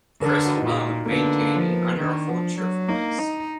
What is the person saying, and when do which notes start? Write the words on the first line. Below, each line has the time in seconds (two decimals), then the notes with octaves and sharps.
Chris alone maintained an unruffled cheerfulness.
0.22 D3 A#4
0.29 B4
0.37 A#4
0.45 F#4
0.58 D#4
0.67 A#2 F4
0.90 D#4
1.06 A#3
1.12 D3 B3
1.41 A#3
1.56 F3
1.71 B3
1.92 B3
2.01 D#3 D4
2.29 F3
2.60 F#3
2.89 A#3 D#4
3.19 D#4